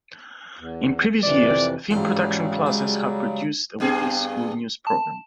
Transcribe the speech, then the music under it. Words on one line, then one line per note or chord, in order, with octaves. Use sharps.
In previous years, film production classes have produced a weekly school news program.
E2
F2 C3 E3 D5
A1 G#2 C#3 F#3 G3 C5
G#3
G2 B3 G#4
A5